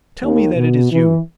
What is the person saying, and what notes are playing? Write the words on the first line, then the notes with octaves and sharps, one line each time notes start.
Tell me that it is you!
D#2
B2
E3